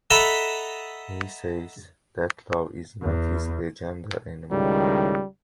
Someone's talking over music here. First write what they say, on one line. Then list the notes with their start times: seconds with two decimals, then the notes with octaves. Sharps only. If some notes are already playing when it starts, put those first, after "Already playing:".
He says that love is not his agenda anymore.
0.10 A4 D#5 E5 F#5 A#5 B5
3.02 E2
4.51 C#2 A2 D#3 G3